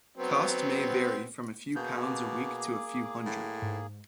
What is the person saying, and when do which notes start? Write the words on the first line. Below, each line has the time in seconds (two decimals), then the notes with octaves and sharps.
Cost may vary from a few pounds a week to a few hundred.
0.18 F#3 B3 C4
1.76 B2 A#3 G#4 G6
2.02 D6
3.26 A2
3.62 G#2